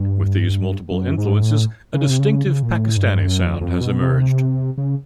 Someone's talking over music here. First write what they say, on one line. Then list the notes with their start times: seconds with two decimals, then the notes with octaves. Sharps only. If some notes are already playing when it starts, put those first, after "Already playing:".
With these multiple influences, a distinctive Pakistani sound has emerged.
Already playing: G2
0.91 F#2
1.18 G#2
1.42 A2
1.94 C#3
2.10 C3
2.19 C#3
2.46 C#3
2.63 A#2
2.71 A2
2.97 G2
3.23 F#2
3.42 F2
3.61 F2
3.81 B2
4.01 C3
4.78 C#3